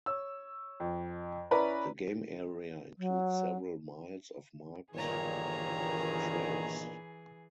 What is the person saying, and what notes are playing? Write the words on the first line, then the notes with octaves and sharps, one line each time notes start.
The game area includes several miles of marked trails.
C#5 E6
F2
C#4 E4 B4 D5 A#5
F#3
G1 A#2 D#3 E3 G#4 C#5 A#5